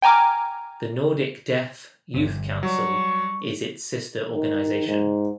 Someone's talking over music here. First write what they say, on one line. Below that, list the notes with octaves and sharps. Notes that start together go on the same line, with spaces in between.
The Nordic Deaf Youth Council is its sister organization.
G5 G#5 A#5 D6 F6
G1 C3
F#3 G3 C#6
D#3
G#2